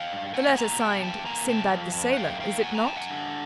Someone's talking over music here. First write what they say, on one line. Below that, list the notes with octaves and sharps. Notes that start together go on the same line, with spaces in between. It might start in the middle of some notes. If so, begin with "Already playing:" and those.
"The letter signed 'Sinbad the Sailor,' is it not?"
Already playing: F5 G5
G2
A#3 F#5 G#5
B2 G#5 A#5
G3 G5 A5
E2 G5 A5
A#3 G#5 A#5
C3 G5 A5
F3
F2
F#5
F#2 F5 G5
D#3 F5 G5
F#3 F#5 G#5
G#5 A#5
F#2 G5 A5
F#5 G#5
D4